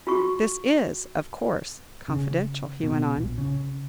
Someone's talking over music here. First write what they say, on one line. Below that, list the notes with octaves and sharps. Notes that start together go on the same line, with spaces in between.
"This is, of course, confidential," he went on.
F4 F#4 C#6
C#3
B2
A#1
C#3